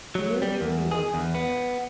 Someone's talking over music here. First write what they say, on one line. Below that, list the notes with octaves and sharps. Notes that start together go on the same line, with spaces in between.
He knew he would be welcomed there.
F#3
G3
E2
G#4
E2
B3